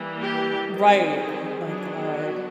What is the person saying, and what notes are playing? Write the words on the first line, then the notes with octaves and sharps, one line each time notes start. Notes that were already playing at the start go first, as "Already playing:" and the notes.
Right. Oh my god.
Already playing: E3 G3 A#3
G4
D#3 G3 C4
G#4
F#3 B3 D4 G#4
F#4